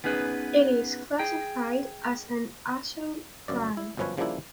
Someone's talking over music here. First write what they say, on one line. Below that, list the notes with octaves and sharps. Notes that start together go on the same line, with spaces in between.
It is classified as an azo dye.
B3 C#4 D#4 G#4 B4
G#4 G5
G1 F#2 D5
E4
G1 F#2 F3 C#4 B4 C#5
C#3 F3 G3 A#3 D4 E4